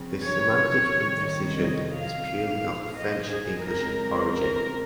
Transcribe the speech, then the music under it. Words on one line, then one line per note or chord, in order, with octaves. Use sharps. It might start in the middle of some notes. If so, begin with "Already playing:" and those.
This semantic imprecision is purely of French-English origin.
Already playing: C#3 F3 C4
C#5
C3 D#3 G3 C4
D#5
F5
A#2 G#3 C4
D#5
G#4
C#3 G#3 C4 A#4
A#4